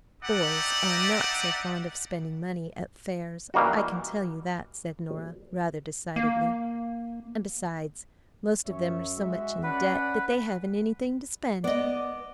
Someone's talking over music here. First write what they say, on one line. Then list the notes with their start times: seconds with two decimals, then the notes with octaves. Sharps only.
"Boys are not so fond of spending money at fairs, I can tell you that," said Nora, rather decidedly, "and besides most of them are so much in debt that they haven't anything to spend."
0.23 D4 D#4 G4 D5 E5 F#5
3.54 E3 G3 A#3 D#4 F#4
6.16 A#3
8.66 F#2 C#5 E5
9.17 G#3 F#4 E5
9.63 C#4 B4 D5 F#5
11.64 B3 D5 D#5